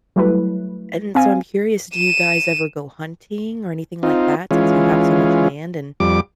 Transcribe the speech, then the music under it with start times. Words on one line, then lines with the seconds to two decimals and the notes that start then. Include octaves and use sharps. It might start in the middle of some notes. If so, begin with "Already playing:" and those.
And so, I'm curious, do you guys ever go hunting or anything like that since you have so much land and
0.16 F#3 G3 A3 E4 B4
1.15 C4 F5 G#5
1.94 D#7 E7
4.03 C4 D#4 F4
4.51 E3 G#3 C#4 F4
6.00 F2 G3 D6